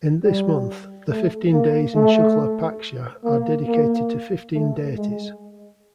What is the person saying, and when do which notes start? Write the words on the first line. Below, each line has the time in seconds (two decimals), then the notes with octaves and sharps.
In this month, the fifteen days in Shukla paksha are dedicated to fifteen deities.
0.24 G3
1.10 A3
1.52 A#3
1.95 A3
3.25 A#3
3.67 A#3
4.54 A3
4.96 G#3